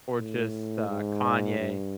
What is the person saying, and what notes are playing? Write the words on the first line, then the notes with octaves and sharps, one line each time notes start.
or just, uh, Kanye.
A2
G#2
G2